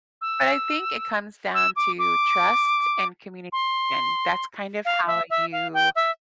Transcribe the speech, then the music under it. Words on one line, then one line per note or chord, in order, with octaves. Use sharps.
But I think it comes down to trust and communication, that's kind of how you
E6
E6
D6
D6
C6
F5
E5
E5
F5
G5
E5